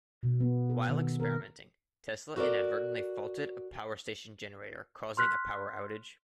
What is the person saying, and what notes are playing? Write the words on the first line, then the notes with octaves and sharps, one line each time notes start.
While experimenting, Tesla inadvertently faulted a power station generator, causing a power outage.
B2
B3
A4
D#3
A#4
F#4 A4 A#4 D5
C6 F6 F#6 B6